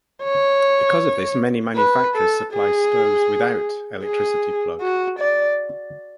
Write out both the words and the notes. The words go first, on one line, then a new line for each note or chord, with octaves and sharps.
Because of this many manufacturers supply stoves without electricity plug.
C#5
B4
A4
G#4
G#4
F#4
D5